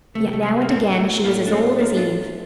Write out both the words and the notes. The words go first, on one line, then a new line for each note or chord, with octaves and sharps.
Yet now and again she was as old as Eve.
C3 A3
A3
G3
A#3
A2 A3 C4
A3
A2 G3 A#3
D4
A3 C4
A#3 D4
D4 F4